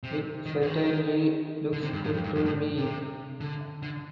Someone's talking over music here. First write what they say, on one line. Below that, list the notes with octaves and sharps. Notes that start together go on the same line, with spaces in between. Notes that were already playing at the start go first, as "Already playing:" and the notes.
It certainly looks good to me.
C3
D#3
D3
D#3
D3
C3
G2
A2
F2
G2
F2
A2
C3
D3
D3